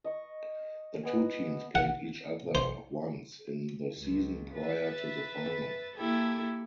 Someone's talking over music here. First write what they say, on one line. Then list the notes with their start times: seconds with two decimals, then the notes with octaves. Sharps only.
The two teams played each other once in the season prior to the final.
0.04 D#5 C#6
1.03 B3 D#5 G#5
1.75 F#5
2.55 C5
4.02 C#2
4.57 B4 E5 A6
5.98 A#3 E4 G4 A4 G#6